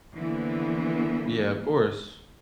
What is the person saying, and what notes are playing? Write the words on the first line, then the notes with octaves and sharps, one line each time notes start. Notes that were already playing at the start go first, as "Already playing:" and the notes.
Yeah, of course.
D3 E3 F3 A#3 B3